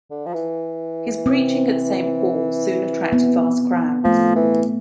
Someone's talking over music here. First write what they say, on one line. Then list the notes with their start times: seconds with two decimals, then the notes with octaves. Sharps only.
His preaching at Saint Paul's soon attracted vast crowds.
0.10 D3
0.26 F3
0.34 E3
1.26 C4
3.13 B3
4.04 F3 A3
4.36 E3